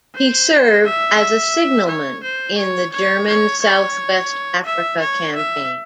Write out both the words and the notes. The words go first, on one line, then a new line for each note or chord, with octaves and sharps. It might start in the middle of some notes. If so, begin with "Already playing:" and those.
He served as a signalman in the German South-West Africa campaign.
C5
E5
E5
C#5
C5
C#5
C#5
C#5
C#5
E5
C#5
E5